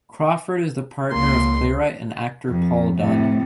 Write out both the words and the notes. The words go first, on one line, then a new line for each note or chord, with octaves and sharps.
Crawford is the partner of playwright and actor Paul Dunn.
C#2 A#3 C6
F2
A2 C3